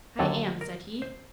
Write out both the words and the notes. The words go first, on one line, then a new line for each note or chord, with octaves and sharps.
"I am," said he.
D#2 D3 F#3 A4
A#4
C5